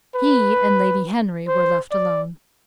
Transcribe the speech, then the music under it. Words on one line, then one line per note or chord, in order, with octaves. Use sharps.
He and Lady Henry were left alone.
B4
C5
D5